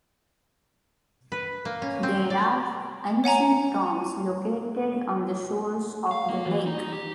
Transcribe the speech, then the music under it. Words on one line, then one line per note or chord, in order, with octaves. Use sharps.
There are ancient tombs located on the shores of the lake.
B4
A#3
C#4
C4
D5
C#5 F#5 G#5 A#5
F5
A#3
E3
D#4
G4